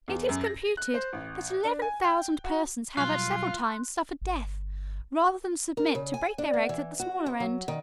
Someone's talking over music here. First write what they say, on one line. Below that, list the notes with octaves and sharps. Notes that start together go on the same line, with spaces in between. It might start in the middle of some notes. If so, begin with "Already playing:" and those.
It is computed that eleven thousand persons have at several times suffered death, rather than submit to break their eggs at the smaller end.
E2
F#2
A#6
F#6
C5
A1
D4
G#5
G5
F#4
B2 F#3 G3 F4 C6 F#6
G1
A#4
C#3
G#5
D4
B3
E3
F#4
C3
F#3
D#3